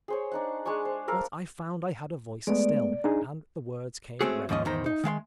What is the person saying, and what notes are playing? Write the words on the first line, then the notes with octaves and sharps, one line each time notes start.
But I found I had a voice still, and the words came readily enough.
G#4 C5 C#5
D4 D#4 F#5
G#3 D4 G#5 C#6
C5
A4 A#4 F5 A#5
G#3 A3 B3 D5
D4 D#4 G#4 A#5
G#3 A3 C4 C#4 F#4 G#4
D#2 G#2 F3 C#4 D#5
E2 D#3 C5 A#5
D#4
D#3 G#3 F5 C6